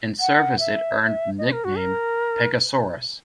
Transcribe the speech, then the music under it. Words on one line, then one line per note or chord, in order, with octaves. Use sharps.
In service it earned the nickname 'Pegasorous'.
F#5
E5
D#5
A#4
F#4
A#4